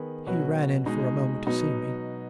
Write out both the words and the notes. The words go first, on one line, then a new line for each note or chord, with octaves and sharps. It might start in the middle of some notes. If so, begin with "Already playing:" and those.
'He ran in for a moment to see me....
Already playing: D#3 B3 G#4 B4
B2 F#3 C#4 F#4 B4
B2 G#3 D#4
B2 F#3 B3 D#4